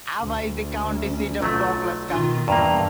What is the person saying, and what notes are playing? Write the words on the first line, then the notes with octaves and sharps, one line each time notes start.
Ava is the county seat of Douglas County.
D2
C#4
B1 F#3 A3 F4
B2 D#3 F4
E2 G2 E3 A#3 A#5